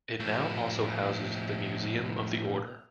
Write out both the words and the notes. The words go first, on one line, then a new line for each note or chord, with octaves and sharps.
It now also houses the Museum of the Order.
A2 F3